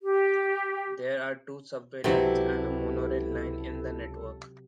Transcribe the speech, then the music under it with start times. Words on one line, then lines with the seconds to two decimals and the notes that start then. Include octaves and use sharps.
There are two subway lines and a monorail line in the network.
0.02 G4
2.04 C#2 C3 F#3 E4 G4 A4 B4